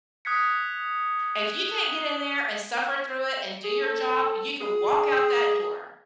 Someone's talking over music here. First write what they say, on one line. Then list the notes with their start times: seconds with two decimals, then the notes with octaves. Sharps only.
if you can't get in there and suffer through it and do your job, you can walk out that door,"
0.25 D#6 F#6 G#6 B6 C#7
3.64 G#4
3.83 A4
4.61 G#4